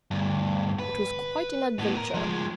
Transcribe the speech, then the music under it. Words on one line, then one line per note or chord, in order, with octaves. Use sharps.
"It was quite an adventure."
D2 G2
B4
A2 B3
A#4
F3 G#3